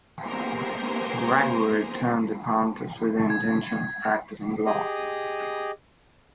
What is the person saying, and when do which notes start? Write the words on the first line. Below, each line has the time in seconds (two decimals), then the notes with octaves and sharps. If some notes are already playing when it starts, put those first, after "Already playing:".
Gregory returned to Pontus with the intention of practising law.
0.23 A#3 B3 G4 G#4 A#4 C5
3.30 G#6
4.66 G4 G#4 D#5